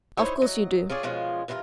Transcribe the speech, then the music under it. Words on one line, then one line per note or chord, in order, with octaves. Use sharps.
Of course you do.
D#4 E4 C5 C#5
F#3 D#5
F4 G#4 C#5 D5
B2 F3 G#3 C#4 F4
G2 E3 F4 F#4 A#4